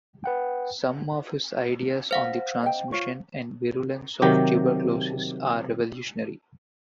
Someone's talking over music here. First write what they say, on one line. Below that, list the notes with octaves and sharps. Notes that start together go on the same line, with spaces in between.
Some of his ideas on the transmission and virulence of tuberculosis are revolutionary.
B4 F#5 G5
C5 F5 F#5
D#5 G5
F4 C#5
C3 D#3 F#3 G4